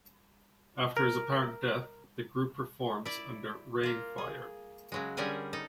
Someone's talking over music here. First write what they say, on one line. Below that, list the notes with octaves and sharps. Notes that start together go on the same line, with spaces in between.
After his apparent death, the group reforms under Reignfire.
A#4
E4 D5
A#3 F4
G#4
C#3 F#3 G#3
D3 G3 C#4 G#4 A#4 G#5
D#4 A4